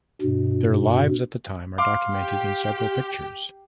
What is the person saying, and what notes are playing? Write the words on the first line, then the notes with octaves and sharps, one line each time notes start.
Their lives at the time are documented in several pictures.
G2 B2
F5 C6 D6
G4